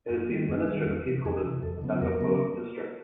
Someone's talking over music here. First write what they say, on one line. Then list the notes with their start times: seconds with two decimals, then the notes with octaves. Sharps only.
It is the administrative headquarters of Dungarpur District.
0.10 F#2
0.29 D#3 G3
0.49 F#2 G#4
0.68 D#3 G3
0.86 F2
1.06 C3 E3
1.25 F2 G#4
1.44 C3 E3
1.63 F2 A4
1.82 C#3 F#3 B3
2.01 F2 A#4
2.21 C#3 F#3 B3